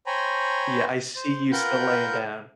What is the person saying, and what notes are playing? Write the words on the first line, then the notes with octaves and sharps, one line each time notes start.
Yeah, "I see you still laying down."
C5 C#5 G5 G#5 A#5 B5
C5
F4 A#4 B4 F#5 G5 G6